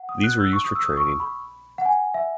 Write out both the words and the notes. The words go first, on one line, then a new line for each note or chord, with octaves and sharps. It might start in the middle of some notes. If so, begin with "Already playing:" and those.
These were used for training.
Already playing: F#5
D#6
F#6
E6
C#6
D#6
E6
D#6
C#6
B5
F#5
G#5
E5